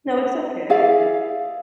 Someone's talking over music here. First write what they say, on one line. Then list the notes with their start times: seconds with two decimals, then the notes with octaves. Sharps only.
No, it's okay.
0.70 E4 G#4 D5 F5